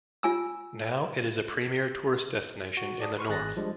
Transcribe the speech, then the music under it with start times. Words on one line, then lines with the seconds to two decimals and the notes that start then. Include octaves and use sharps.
Now, it is a premiere tourist destination in the north.
0.23 F4 G#5 E6
2.77 F#4
3.00 D5 A5 D#6
3.17 B4 C6 C#6 F6
3.29 G#1 G#4 F#6 A6 A#6
3.57 F3 G3 G#3 D4